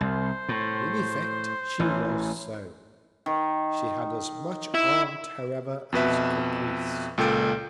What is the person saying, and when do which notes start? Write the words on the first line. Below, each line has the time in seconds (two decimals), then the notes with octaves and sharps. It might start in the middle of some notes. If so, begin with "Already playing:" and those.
And in Effect, she was so: She had as much Art, however, as Caprice.
0.01 C2 C5
0.49 A2
1.79 A1 E3
3.26 D#3
4.74 E4
5.92 F2 B2 B4 E5
7.18 C#2 A#2 A4 G5 G6 D7